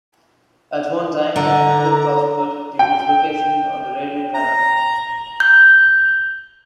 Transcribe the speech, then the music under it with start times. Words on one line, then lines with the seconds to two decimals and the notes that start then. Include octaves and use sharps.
At one time, the hamlet prospered due to its location on the Rideau Canal.
1.36 D3 A#5
2.79 G5
4.34 A#5
5.40 G6